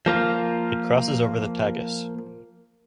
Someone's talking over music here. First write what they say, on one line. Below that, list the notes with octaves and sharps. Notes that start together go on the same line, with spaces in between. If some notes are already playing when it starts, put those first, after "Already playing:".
It crosses over the Tagus.
F3 A#3 F4